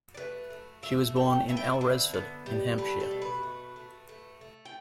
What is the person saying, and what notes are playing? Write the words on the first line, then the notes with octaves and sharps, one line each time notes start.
She was born at Alresford in Hampshire.
D5
A3 B4
A3
A3 E5
A3 G5
B3 E5
G5
E5
D3
B3
G3
A3 B4
A4
B2
B4
A3
A3
A3
A3
G5